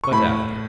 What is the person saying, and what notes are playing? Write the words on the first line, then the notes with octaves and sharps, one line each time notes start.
But after.
C#6
A2 B5